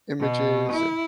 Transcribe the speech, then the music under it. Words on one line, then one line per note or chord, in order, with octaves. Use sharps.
images and
B2
E4